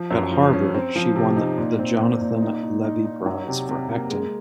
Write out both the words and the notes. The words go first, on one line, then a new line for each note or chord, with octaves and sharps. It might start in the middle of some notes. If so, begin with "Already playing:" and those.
At Harvard, she won the Jonathan Levy Prize for acting.
Already playing: F3
F#2
F3
C#4
C4
F3
C3
D#4
A#2
C4
A#2
A#2
D#4
D#4
D#4
D#4
F#3
C3
C3
A#3
G#3